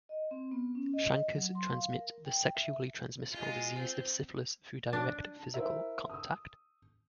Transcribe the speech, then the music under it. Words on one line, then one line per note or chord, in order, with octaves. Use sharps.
Chancres transmit the sexually transmissible disease of syphilis through direct physical contact.
D#5
C4
B3
C#4
D#5
F#3
C6
F5
A#4
G5
E5
G#3 F4
C4
D4
E4 A#4 C5 E5
D#6 E6